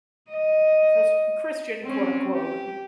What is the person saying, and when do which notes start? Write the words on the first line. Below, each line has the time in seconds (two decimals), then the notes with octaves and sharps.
Chris Christian, quote unquote.
0.29 D#5
1.83 C4 C#4
2.35 G4